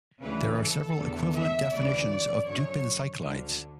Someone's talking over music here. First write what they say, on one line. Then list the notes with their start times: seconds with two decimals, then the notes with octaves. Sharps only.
There are several equivalent definitions of Dupin cyclides.
0.21 D2 C#3 E3 B4
0.59 A4
0.97 E2 D3
1.34 E5
1.71 D2 C#3 E3 D5
2.09 D5
2.46 F#2 D3 C#5
3.21 D2 D3